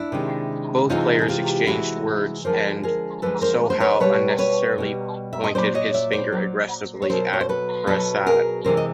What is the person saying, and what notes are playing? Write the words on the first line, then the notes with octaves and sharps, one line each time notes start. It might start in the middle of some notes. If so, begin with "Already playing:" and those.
Both players exchanged words, and Sohail unnecessarily pointed his finger aggressively at Prasad.
Already playing: D4 E4
C3 D#3 G#3
C3 E3 G#3 D#4 F4
G#4
F4 G4
C3 E3 G#3 E4 F#4
D3 F3 G#3 A#4 C5
G#4 A#4
D3 F3 G#3 A4 B4
A#4 C5
C5
B4 C#5
B2 G3 B4 C#5
B4 C#5
B2 G3
E5
D#5
A#2 F#3 C5 D5
C#5 D#5
D5 E5
C5 D5
A#2 F#3
C#5
B2 F#3 A#4 C5
C#5
C5
A4 B4
B2 F#3 A4 B4
G#4 A#4
C3 E3 G#3 A#4 C5
D#5